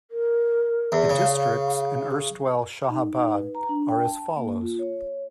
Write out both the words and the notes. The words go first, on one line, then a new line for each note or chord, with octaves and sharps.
The districts in erstwhile Shahabad are as follows.
A#4
E2
C#3 F5
D#4
D#4
B4
A#5
D4
G5
A5
A#3
F4
C#5
C#5